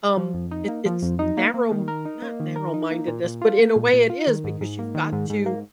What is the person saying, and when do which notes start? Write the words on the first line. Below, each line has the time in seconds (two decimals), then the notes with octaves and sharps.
um, it it's narrow m not narrow mindedness, but in a way it is because you've got to,
0.17 F3
0.34 F2
0.51 D#4
0.68 A#3
0.86 F3
1.02 F2
1.19 D#4
1.37 A#3
1.54 A#3
1.71 D#3
1.88 A#4
2.05 D#4
2.22 A#3
2.40 D#3
2.56 A#4
2.74 D#4
2.91 A#3
3.08 A#2
3.24 A#2
3.42 F4
3.59 A#3
3.76 A#2
3.93 A#2
4.10 F4
4.27 D#3
4.44 G#2
4.61 G#2
4.79 A#3
4.95 D#3
5.12 G#2
5.30 G#2
5.46 A#3